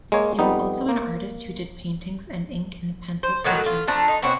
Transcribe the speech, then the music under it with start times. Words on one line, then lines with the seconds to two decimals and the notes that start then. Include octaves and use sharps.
He was also an artist who did paintings and ink and pencil sketches.
0.12 G#3 A#3 C#5
0.39 F2 G3 B3 D#4
0.89 A#3
3.23 C5
3.44 A2 D#3 F#3
3.66 F4
3.88 F3 A3 D4 A#5
4.08 D#4
4.22 B2 C4 C#4 F#4